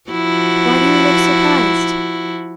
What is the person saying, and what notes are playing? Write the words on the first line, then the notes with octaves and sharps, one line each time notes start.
Why do you look surprised?
F3 E4 F#4